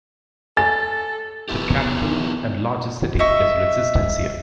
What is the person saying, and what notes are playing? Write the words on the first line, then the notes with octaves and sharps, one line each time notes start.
The capital, and largest city, is Resistencia.
A4 G#5 A6
E3 B3 E4 G4
D#5 E5 C#6